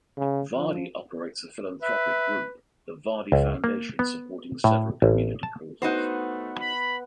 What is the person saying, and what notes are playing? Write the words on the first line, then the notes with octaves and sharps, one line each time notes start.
Vardy operates a philanthropic group, The Vardy Foundation, supporting several community causes.
C#3
F3
B4 E5
C#2
A#3
B3
A2
A1
A5
A3 B3 D#4 F#4 C5 F#5
B5